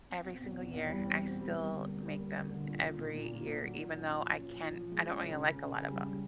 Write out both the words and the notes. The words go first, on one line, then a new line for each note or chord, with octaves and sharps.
every single year. I still make them every year, even though I can't I don't really like a lot of 'em.
C4
B2
E2
B2
E2
G3
C4
B2
G3
G3
D2
A#3
G3
A#3
D2
D3
A#2
A#2
A#2
A#2
A#2
A#2
F#3
A#2
C#4
F3
C#4
F3
F3
F3
G#3
C#4
C#3
C#3
C#3
C#3
G3
C#3